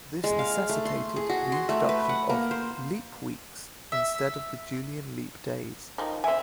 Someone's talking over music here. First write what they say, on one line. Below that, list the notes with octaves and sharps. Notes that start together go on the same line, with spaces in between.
This necessitated the introduction of "leap weeks" instead of the Julian leap days.
G#3
F5
A3
C6
G#4
F#4
C6
A3
B4
F#5
A#3
C5
E5
D#3 F3 D#4
C4 E5 G#5